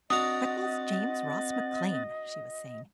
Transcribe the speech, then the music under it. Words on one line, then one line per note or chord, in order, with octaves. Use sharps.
"Freckles James Ross McLean!" she was saying.
C4 D4 F#4 D#5 F#5 A#5 D#6 A6